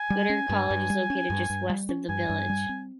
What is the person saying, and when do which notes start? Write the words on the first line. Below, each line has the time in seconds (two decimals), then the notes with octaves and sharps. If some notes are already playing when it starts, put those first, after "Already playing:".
Goddard College is located just west of the village.
Already playing: G#5
0.10 G3
0.30 C#4
0.49 G2
0.71 G2
0.90 G3
1.10 C#4
1.30 G2
1.50 G2
1.70 G3
1.89 C#4
2.09 G2 G#5
2.30 G2
2.49 G3
2.69 C4